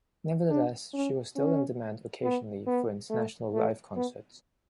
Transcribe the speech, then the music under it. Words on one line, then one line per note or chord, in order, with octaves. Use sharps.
Nevertheless, she was still in demand occasionally for international live concerts.
D4
C#4
C#4
B3
B3
A3
A3
B3